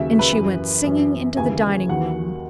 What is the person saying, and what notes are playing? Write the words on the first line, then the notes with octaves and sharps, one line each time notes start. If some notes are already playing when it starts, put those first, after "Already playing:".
And she went singing into the dining-room.
Already playing: D#2 C#3 F#3 E5
B4
F#2 E3
F#2 E3
D#2 C#3 E3 G#5
D#2 D#3 F#3 F#5